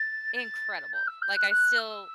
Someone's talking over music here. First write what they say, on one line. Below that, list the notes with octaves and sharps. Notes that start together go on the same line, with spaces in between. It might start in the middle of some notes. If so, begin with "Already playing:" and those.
incredible, like, I still
Already playing: A6
A6
G6
E6
G6
F#6
F#6
E6